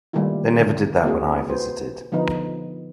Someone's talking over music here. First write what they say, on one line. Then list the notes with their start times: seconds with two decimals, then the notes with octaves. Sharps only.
They never did that when I visited.
0.13 D#3 G3 A3 A#3 E4 F4
0.59 D3 E4
1.04 A#3 C4 E4 F#4 G#4
1.49 F#4 B4 C5
2.12 D3 F3 B3 D#4 B4 C5